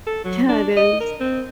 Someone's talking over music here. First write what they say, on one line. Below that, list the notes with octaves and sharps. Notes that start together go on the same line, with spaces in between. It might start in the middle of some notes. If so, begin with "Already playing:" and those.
Yeah it is.
A4
F#3
D4
D#5
A#4
C4